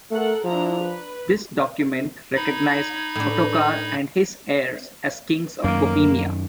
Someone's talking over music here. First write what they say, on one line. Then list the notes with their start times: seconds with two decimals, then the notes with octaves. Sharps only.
This document recognised Ottokar and his heirs as Kings of Bohemia.
0.11 A3 A4 A#4 F#5
0.45 F3 D4 E4 A#5
0.81 B4
2.36 D#4 B5 G#6
3.15 A2 D4
5.64 F#2 D#3 A#3